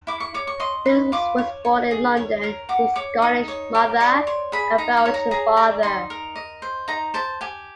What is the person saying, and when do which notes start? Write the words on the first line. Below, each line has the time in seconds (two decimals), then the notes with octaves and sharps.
Claes was born in London to a Scottish mother and Belgian father.
0.07 E4 D6
0.20 C#6
0.34 C#5 D6
0.47 C#6
0.60 D#5 C6
0.86 B4
1.12 F4 D6
1.38 C#5
1.65 C#5
1.91 G#4
2.17 C#5
2.43 A#4
2.69 F#4 D6
2.96 C#5 D6
3.22 D#4 D#6
3.48 C#5
3.75 G4 D6
4.00 D5 C#6
4.27 C#5 C6
4.52 G#4 B5
4.78 D#4 A#5
4.97 A#5
5.05 C#5
5.14 A#5
5.31 G#4 A#5
5.57 D5 A#5
5.83 D#4 C6
6.10 A#4
6.36 D#5
6.62 C5
6.88 D#4 A#5
7.14 C5 A5
7.41 G4 G#5